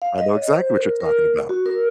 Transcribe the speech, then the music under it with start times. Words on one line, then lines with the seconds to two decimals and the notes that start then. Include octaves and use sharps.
I know exactly what you're talking about.
0.02 F5
0.18 D#5
0.29 D#5
0.34 C#5
0.51 C5
0.76 A#4
1.01 A#4
1.49 F#4
1.66 A#4